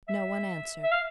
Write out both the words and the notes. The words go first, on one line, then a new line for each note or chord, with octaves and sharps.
No one answered.
E5
E5
F5